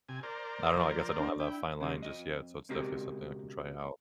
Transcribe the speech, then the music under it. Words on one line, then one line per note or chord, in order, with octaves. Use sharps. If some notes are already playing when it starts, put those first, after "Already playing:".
I don't know, I guess I don't have that fine line just yet, so it's definitely something I can try out.
C3 G#5
A#4 C5 D5
F3
D4
E4 G5
C#3 G3 G#3
F2 D#5
C#2 B2 G#3 C4 G4 A#4